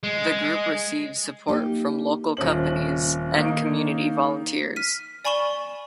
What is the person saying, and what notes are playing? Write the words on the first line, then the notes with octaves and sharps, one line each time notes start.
The group receives support from local companies and community volunteers.
G#3
A#3 D#4 G4
D#1 C4 C#4 F#7
D#3 A#3 D#4
F6 B6 D#7
D5 G#5 B5 C#6 E7 G7